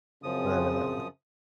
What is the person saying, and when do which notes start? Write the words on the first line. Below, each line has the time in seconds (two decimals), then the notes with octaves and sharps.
But, uh,
0.23 F#2 C#3 F3 C4 D#6